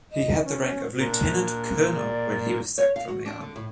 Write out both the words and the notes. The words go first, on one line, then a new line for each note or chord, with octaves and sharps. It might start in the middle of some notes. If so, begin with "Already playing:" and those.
He had the rank of Lieutenant Colonel when he was sacked from the Army.
D#5
C#4
A#2 D4
D5
C#5
F5
F#4
D4
D3
A2